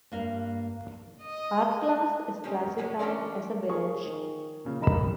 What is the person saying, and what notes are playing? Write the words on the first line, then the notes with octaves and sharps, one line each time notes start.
Ardglass is classified as a village.
G2 A#3 F5
D#5
G#3 C4 C#4 G4
A#2 F3 G#3 C#4
E3 C#4 D4 A#4 D5
G#4 A#4 C#6
D#3
A#2 C#3
G3 A#4 D#5 A#5 B5 E7